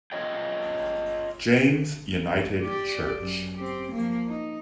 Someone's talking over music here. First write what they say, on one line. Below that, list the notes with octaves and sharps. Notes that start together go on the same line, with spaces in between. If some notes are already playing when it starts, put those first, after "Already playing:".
James United Church.
F4 C#5 D#5 G5
G4 D5
F#2
C4 G4
F3 A#3
D#4